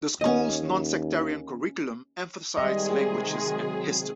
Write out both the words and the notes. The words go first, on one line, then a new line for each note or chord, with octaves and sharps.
The school's nonsectarian curriculum emphasized languages and history.
D#2 C#4 D#5
C3 D#3 G3 G#3 G#4 D#5
F#3